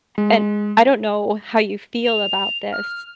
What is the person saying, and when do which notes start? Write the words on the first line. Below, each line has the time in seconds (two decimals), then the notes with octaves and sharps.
and, I don't know how you feel about this
0.18 G#3
2.04 F7
2.73 F6